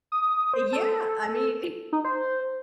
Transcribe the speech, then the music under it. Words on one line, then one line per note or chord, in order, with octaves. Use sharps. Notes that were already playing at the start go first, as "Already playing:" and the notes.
Eh yeah. I mean,
D#6
C5
A4
D#4
C5